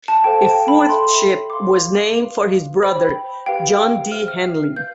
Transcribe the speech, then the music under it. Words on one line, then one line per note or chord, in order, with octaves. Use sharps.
A fourth ship was named for his brother, John D. Henley.
A5
A4 C5 F5 G5
G5
A5
B5
A4 E5 G5 C6
D6
C5 F5 C6
B4 F5
C5 G5 B5
G4 B4 F5 G5
C5 E5 G5 F6
F6
C7
B4 F5 G6